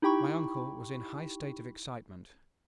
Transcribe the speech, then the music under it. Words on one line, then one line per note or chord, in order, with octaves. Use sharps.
My uncle was in high state of excitement.
D#4 E4 G4 G5 B5 C#6